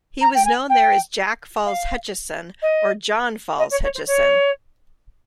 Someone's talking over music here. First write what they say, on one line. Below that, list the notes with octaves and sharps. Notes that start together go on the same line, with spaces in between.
He was known there as Jack Falls Hutchison or John Falls Hutchison.
A#5
G5
G#5
G5
F5
D#5
D#5
C#5
C#5
C5
C#5